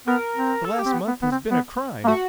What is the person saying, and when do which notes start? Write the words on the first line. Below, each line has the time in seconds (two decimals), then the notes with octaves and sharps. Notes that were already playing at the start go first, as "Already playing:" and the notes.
The last month has been a crime.
0.07 B3 A#4
0.36 C4
0.64 A4
0.79 G4
0.86 C4
0.93 B3
1.08 B3
1.22 B3
1.31 C4
1.51 B3
2.04 A#3
2.08 A3 F#4